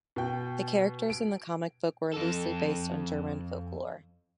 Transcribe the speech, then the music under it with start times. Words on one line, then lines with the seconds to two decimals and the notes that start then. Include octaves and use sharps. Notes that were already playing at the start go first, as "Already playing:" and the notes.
The characters in the comic book were loosely based on German folklore.
0.16 B2 G5
1.10 D7
2.13 F2 A4